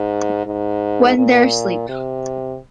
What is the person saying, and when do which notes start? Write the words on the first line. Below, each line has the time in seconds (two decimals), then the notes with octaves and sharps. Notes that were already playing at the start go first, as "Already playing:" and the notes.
When They're Asleep.
Already playing: G#2
0.46 G#2
1.18 A#2
1.89 C3